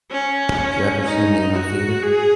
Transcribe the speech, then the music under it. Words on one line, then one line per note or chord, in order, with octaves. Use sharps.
Did you ever see me in the theater?
C#4
D#4
F#4
G#4